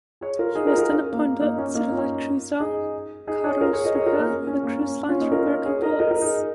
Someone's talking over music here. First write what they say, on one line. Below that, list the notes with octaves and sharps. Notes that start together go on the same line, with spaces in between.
He was then appointed to the light cruiser Karlsruhe on a cruise line through American ports.
G#4 C#5
F4 A#4
D#4 G#4
F4 A#4
F4 A#4
C#4 F4
A#3
A#3 D#4
C#4
A#3 D#4
C#4 F4
D#4 G#4
D#4 G#4
G#4 C#5
F4 A#4
G#4 C#5
A#4 D#5
G#4 C#5
F4 A#4
A#3
C#4
C#4
A#3
C#4
C#4 F4
A#3 D#4
F4 A#4
G#4 C#5
A#4 D#5
A#4 D#5
A#4 D#5
D#4 G#4